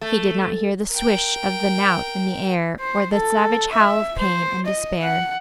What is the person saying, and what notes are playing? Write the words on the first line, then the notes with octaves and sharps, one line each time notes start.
He did not hear the swish of the knout in the air or the savage howl of pain and despair.
A3
A#4 G5
C5
A4
E5
C5
D#5
F#5